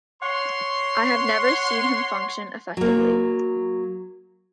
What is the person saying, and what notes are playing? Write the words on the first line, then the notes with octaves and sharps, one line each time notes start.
I have never seen him function effectively.
C#5 F#5 C6
F#3 A#3